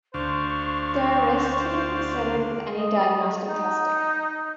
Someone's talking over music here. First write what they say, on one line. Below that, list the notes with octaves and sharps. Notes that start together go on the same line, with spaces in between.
There are risks to be considered with any diagnostic testing.
D2 D4 C5 F5 C#6
D#5
D#4